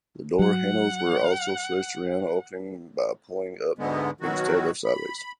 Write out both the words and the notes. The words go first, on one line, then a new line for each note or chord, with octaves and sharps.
The door handles were also switched around, opening by pulling up instead of sideways.
F#3 F#5
D2 G#2 D3 G#3 B3
B2 D#3 F#3 F#4
B5